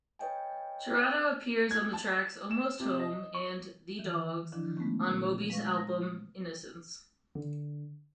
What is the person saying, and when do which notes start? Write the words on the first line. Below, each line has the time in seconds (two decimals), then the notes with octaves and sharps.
Jurado appears on the tracks "Almost Home" and "The Dogs" on Moby's album "Innocents".
0.19 B4 C#5 D#5 G5 G#5
1.71 G#6
1.93 A5
2.51 E7
2.80 C3
2.99 D#5
3.34 C#6
3.99 D#3 E3
4.52 D3 D#3 F3 D4 E4
4.77 G#3 A3 B3 C#4
5.06 A#2
5.50 G#3 B4 F5 C#6 A#6
5.76 A#6
7.35 D3